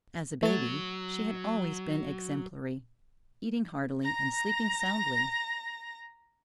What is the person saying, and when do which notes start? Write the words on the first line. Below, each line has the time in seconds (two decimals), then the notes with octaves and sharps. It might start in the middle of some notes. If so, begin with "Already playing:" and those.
As a baby she had always been exemplary, eating heartily and sleeping soundly.
0.43 F#3 A3 A6
4.03 A#5 A#6